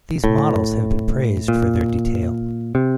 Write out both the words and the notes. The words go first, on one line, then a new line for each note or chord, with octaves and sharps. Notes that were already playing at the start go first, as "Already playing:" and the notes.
These models have been praised for their detail.
A2
A#2
C3